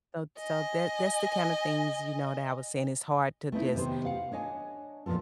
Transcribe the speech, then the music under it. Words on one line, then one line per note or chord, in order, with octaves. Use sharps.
So ts so that's the kind of things, you know, that I was saying. It's hard to just,
D#5 G#5
A3 B3 D#4 E4
C3 D#3 B3 G4 C5
F5 F#5
D4 C#5 D#5 G#5
A#2 F3 B3 F4 A4